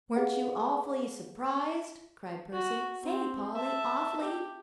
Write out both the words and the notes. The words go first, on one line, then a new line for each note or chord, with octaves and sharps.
"Weren't you awfully surprised?" cried Percy; "say, Polly, awfully?"
G4 G#4 B4 F5 F#5
F#4
C4
E5 A5
G4